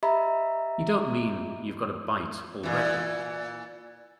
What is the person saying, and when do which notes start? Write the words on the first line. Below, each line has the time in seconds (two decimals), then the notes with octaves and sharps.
You don't mean you've got a bite already?
0.03 G4 D#5 E5 A#5 B5
2.63 A#2 E3